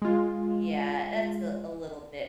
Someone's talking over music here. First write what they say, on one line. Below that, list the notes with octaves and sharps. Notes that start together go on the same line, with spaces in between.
Yeah, that's a a little bit,
G#3 F4